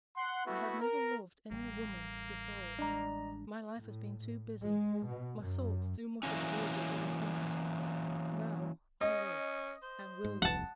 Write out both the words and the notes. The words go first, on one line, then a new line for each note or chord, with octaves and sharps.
I have never loved any woman before: my life has been too busy, my thoughts too much absorbed with other things. Now I love, and will love.
F#5 C6
A3 B3 E4 F#4
A#4
A1 G3 A#3
G#3 D4 D5 D#5 A#5
A2
A2
G#3
B2
F#2
E3 F#3 A#3 C#4
C#4 D#5
C5
G#2
D#1 C2 F2 F#5 A5